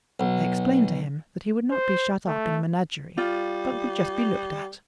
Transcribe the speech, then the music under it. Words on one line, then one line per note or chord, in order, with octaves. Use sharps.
They explained to him that he would not be shut up in a menagerie but would just be looked at.
B1
C5
A3
G3 F4